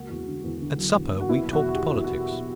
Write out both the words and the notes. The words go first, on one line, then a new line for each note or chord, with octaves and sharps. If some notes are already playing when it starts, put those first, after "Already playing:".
At supper we talked politics.
Already playing: C#2 A#3 F#4
E2
D3
E2
D3
F#3
E2
A#3
F#4
B3 E4
B2
F#4
E2
G4
E2 F#4
E2 E4
F#4
B2
B2